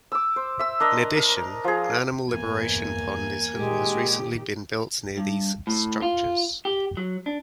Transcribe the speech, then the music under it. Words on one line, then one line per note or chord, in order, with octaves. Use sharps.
In addition, an animal liberation pond has recently been built near these structures.
D6 E6
C5
E5 E6
D4 A#4 D#5
A#4
F3 G#4
E2 G2 A#3 G#5
A#2 D#3 G#3 G4
G2
A2
F4
G4
F#3
D4